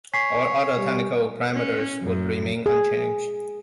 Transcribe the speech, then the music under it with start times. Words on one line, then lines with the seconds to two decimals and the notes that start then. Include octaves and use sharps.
All other technical parameters would remain unchanged.
0.14 C#5 G#5 C#6 B6 C7
0.78 G3
1.53 C#4
2.02 F#2
2.66 G#4